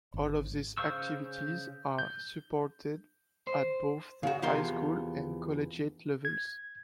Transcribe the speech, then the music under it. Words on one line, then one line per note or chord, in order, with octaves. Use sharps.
All of these activities are supported at both the high school and collegiate levels.
G#1
C#3 C5 F5 C#6 E6
G6
C5
C#3 F#4
E2 C3 F3 A#4 C6
G#6